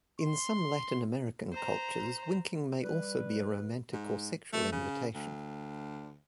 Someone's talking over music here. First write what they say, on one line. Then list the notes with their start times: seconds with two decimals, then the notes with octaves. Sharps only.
In some Latin American cultures, winking may also be a romantic or sexual invitation.
0.20 C6
1.52 C5 A#5
2.81 G3 B4
3.93 G#2
4.53 A3
4.72 C#3
5.14 D2